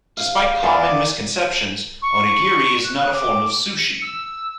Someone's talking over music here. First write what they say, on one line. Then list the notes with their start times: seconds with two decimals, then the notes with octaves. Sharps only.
Despite common misconceptions, onigiri is not a form of sushi.
0.17 F5
0.63 E2 G#4 A#4 D5
2.02 C#6
2.84 F#6
3.13 D6
3.78 C#7
4.02 E6